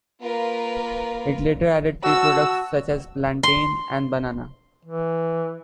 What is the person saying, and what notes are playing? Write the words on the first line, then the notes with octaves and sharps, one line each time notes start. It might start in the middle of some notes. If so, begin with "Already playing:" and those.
It later added tree products such as plantain and banana.
A#3 F4 A#4 B4
F#4 A5 E6
C6
E3